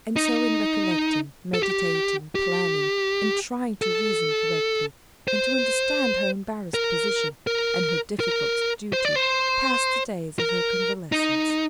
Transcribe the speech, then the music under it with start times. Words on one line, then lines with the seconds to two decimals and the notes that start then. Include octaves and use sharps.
And so in recollecting, meditating, planning, and trying to reason correctly, and to understand her embarrassed position, and her difficult duty, passed the days of her convalescence.
0.16 D#4
1.54 A4
1.63 G4
2.35 G4
3.82 A4
5.28 C5
6.74 A#4
7.47 A#4
8.20 A#4
8.93 C5
9.05 D5
9.16 C5
10.39 A#4
11.12 D#4